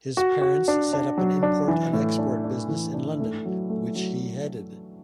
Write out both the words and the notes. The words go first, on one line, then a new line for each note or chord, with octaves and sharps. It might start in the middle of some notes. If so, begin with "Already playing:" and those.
His parents set up an import and export business in London which he headed.
F#4
F#4
D4
D4
F#3
D4
E3
A2
D4
D4
E3
D4
A3
F#3
A3
F#3